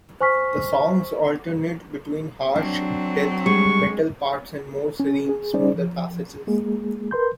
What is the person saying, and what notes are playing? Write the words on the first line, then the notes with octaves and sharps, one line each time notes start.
The songs alternate between harsh death metal parts and more serene, smoother passages.
C5 G#5 C#6 F6 B6
F#3 C4 D4
G3 G#3 C#6
C#4
G#4
G3 C#4 D#4 G#4 C5 D5
F3
G#3 A#3 G#4
A#4 B4 C6 G6